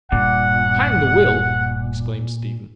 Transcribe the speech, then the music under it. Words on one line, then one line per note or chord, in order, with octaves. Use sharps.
"Hang the will!" exclaimed Stephen.
D#1 G2 A#2 F#5